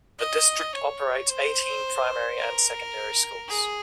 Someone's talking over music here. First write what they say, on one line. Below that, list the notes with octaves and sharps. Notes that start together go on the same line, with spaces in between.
The district operates eighteen primary and secondary schools.
D#5
C#5
C5
A#4
G#4